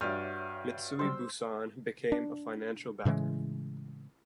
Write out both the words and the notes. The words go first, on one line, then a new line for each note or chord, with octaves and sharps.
Mitsui Bussan became a financial backer.
G2 F#4 C#5 D5 E5 F6
F#3 G3 C5 E6
D4
A2 C#3 E3 G#3